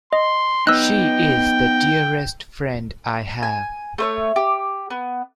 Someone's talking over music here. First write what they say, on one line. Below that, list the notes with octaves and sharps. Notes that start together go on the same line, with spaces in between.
She is the dearest friend I have!
D#5 C6
B3 D#4 G5 E6 F#6
G#5
A3 C5 C#5
G4
B3